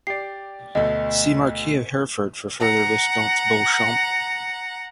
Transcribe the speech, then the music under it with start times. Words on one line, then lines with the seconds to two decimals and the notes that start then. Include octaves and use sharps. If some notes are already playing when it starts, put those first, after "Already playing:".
See Marquess of Hertford for further Viscounts Beauchamp.
0.07 G4 D5 C7
0.75 D2 B2 A3 D#5
2.60 F#5 A#5